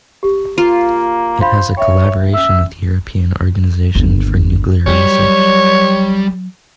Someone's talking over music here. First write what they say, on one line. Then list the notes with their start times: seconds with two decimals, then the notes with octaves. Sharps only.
It has a collaboration with European Organization for Nuclear Research.
0.23 G4
0.58 A#3 F4
1.41 D4 C5 F5 B5
1.77 C#5 E5 G5
2.34 C#4 E5 E6
3.95 G1 D#2
4.87 F#3 G3 C#5